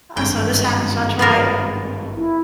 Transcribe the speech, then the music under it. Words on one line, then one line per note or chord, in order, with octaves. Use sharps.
I so this happened, so I tried her.
G#1 G2 C4 G5
B3 F4 A#4
E4